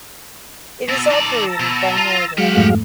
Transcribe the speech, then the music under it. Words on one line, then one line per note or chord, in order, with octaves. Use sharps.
It is operated by Northern.
B2 A5 A#5 E6
D#3 D5
B2
F4
F#3 G#3 G4 F5 F#5
F2 G#2 A3